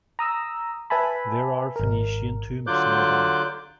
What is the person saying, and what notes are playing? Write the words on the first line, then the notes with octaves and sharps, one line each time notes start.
There are Phoenician tombs nearby.
A#5 D#6 E6
B4 E5 G#5 A5 B5
G#1 A#4
D3 F#3 F4 D6 F#6 G6